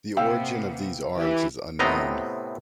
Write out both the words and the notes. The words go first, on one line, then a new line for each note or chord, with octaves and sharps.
The origin of these arms is unknown.
C3 A#3 B3 F5 G5 E6
E3 G4
A2 C3 B3 C4 D#5 A#5